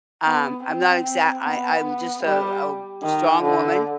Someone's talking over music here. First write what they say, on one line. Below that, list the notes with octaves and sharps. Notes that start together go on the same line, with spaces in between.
um, I'm not exact I I'm just a oh, strong woman,
B3
C4
B3
G3
D#3
D3